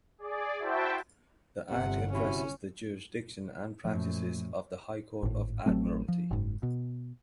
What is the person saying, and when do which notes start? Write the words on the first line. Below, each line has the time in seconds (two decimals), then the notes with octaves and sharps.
The act addresses the jurisdiction and practices of the High Court of Admiralty.
0.18 G#4 D5
0.59 E4 F#4 C5 E5 G5 A5
1.71 G1 C3 F#5
2.13 C3 C#4 E4 F#4
3.85 F#2 A#2 F3 A3
5.23 G#1 A2
5.66 A1 F#3 A3 C4
6.08 F3
6.31 F#1 G#2
6.63 B2